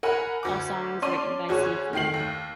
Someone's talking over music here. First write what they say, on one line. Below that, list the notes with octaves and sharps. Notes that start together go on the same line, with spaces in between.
All songs written by Seafood.
A#4 F#5 G#5 B5
D2 D6
C#4 D5 A5 C6 D#7
D2 F#4 G#4 C#5
D#3 A3 G5 C7 F#7
D#2